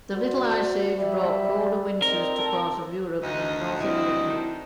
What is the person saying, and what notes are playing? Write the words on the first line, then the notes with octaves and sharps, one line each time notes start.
The Little Ice Age brought colder winters to parts of Europe and North America.
F#4 C5 D5
G3 E5
C4 D#4 A#4
A4
D2 D#4 D#5
E3 G3 C4 E4 D#5
D#3 D4 D#4